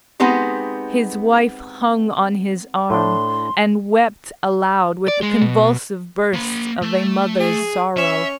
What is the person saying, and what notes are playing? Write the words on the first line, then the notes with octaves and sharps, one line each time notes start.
His wife hung on his arm, and wept aloud with the convulsive bursts of a mother's sorrow.
G#3 B3 C4 D#4 G4
A2 D4 C6
D5
G#3
B2
A#3 B5
A3
G#4
C#4 E5